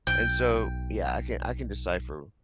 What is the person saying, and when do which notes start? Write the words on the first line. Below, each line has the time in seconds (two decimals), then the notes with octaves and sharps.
and so, yeah, I can I can decipher
0.07 B1 G5